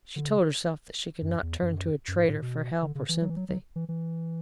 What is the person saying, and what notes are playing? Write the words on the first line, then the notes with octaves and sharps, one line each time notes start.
She told herself that she could not turn to a traitor for help or sympathy.
D3
C#3
F#2
E2
F#2
F#2
G#2
A2
B2
D3
C#3
E3
F#3
E3
F#3
F#3
E3
E3